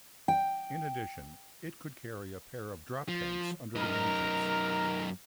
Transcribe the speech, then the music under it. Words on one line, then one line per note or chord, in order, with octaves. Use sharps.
In addition it could carry a pair of drop tanks under the wingtips.
G5
F3
F#2 D#4 A#4 A#5